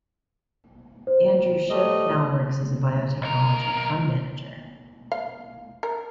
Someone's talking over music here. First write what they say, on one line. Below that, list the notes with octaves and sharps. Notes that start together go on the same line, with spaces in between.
Andrew Schiff now works as a biotechnology fund manager.
C5
G3 A3 D#5
B1 A#4
F5
A#4